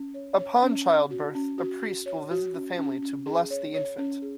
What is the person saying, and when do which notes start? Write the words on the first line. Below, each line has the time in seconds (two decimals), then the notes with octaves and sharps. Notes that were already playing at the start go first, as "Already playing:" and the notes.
Upon childbirth, a priest will visit the family to bless the infant.
Already playing: C#4
0.14 C#5
0.39 C#5
0.63 C#4
0.86 C#5
1.11 F#4
1.35 C#4
1.58 F#4
1.82 F#4
2.06 C#5
2.31 F#4
2.54 C#4
2.78 C#4
3.02 C#4
3.26 G#4
3.50 C#5
3.74 C#5
3.98 C#4
4.22 G#4